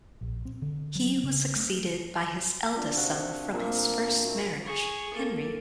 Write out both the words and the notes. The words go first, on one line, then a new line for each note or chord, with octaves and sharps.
He was succeeded by his eldest son from his first marriage, Henry.
A#1
C4
D3
F#3
C#3
A3
D4 F4
C3 F3 F#4 F#5
A#2 F3 A#3 C4
F#4 A#4 E5 C#6
G#4 C#6
A#3 A4